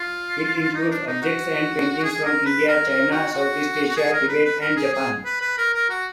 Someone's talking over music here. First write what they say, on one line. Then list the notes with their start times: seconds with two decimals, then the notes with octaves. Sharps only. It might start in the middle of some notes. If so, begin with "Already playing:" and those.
It includes objects and paintings from India, China, Southeast Asia, Tibet and Japan.
Already playing: F4
0.74 D#4
0.90 D4
1.07 D#4
1.22 F#4
2.03 G#4
2.25 A#4
2.46 B4
2.68 A#4
2.89 A#4
3.11 F#4
3.32 F#4
3.97 G#4
4.13 A#4
4.29 B4
4.45 B4
4.61 A#4
4.77 G#4
4.93 G#4
5.25 B4
5.41 B4
5.58 A#4
5.74 A#4
5.90 F#4